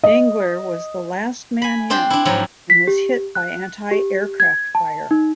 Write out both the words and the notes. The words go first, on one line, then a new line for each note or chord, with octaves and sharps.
Dengler was the last man in and was hit by anti-aircraft fire.
D#5
G#5 B5
C4 D4 C5 G5
D4 E4
G#2 F3 F#3 E4
B6
G4
F#6
G4
G#6
A5
D#4